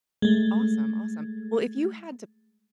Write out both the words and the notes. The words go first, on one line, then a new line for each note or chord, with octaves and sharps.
Awesome, awesome. Well, if you had to
G#3 A3